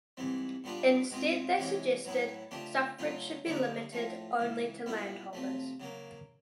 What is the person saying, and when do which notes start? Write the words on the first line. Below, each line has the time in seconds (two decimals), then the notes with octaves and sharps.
Instead they suggested suffrage should be limited only to landholders.
0.17 G#2 E3 G3 C4
0.64 A#2 G3 B3 D4 F4
1.11 B2 G#3 C4 F4
1.58 C3 E3 G#3 C#4
2.05 A2 F#3 B3 E4
2.51 C#3 F3 A3 D4 G4
2.99 C#3 F#3 A3 C#4 F4
3.45 F#2 D3 G3 A#3 D#4
3.93 A2 F3 A3
4.39 C#2 C#3 E3
4.86 A#2 G3 B3 E4
5.33 C3 F3 A3
5.80 C#3 F#3 A#3